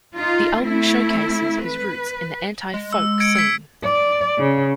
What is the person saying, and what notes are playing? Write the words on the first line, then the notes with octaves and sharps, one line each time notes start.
The album showcases his roots in the anti-folk scene.
D#4 F4
A3 C4 E4
B4
G#3
E6
G#6 C#7 D7
E6 G#6 B6
D5
C#3